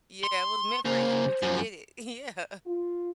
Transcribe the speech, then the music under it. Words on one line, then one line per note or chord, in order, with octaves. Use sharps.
Yeah. It was meant for you to get it. Yeah.
C6
C#3 A#3 C5
F#2 F3
F4